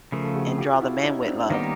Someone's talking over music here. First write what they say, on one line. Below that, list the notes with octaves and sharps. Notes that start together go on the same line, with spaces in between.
And draw them in with love.
C#3 F3 A3 A#4
A4
F#4 G#4
F4 G4
F4
E4 F#4
E4
C#4 D#4
C4 D4
D#3 G3 A#3 B3 C#4 D#4 G4